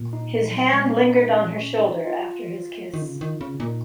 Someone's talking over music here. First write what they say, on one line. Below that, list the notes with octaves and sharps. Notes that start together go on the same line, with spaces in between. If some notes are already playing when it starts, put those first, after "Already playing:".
His hand lingered on her shoulder after his kiss.
Already playing: A#2
D#4
F#3
G#3
C#4
D#4
C#4
D#4
B3
C#4
C#4
D#4
F4
D#3
C#3
D#3
C#3
A#2 D#4